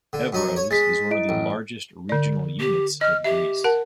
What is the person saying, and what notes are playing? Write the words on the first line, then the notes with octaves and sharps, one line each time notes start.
Evros is one of the largest regional units of Greece.
D3
F#2 D#4 C#6
C#5
G#3 A6 B6
E4 D#5 D7
A1
D3 D5
G4
D#5 F6
G4 E5
A#4 F#5 A5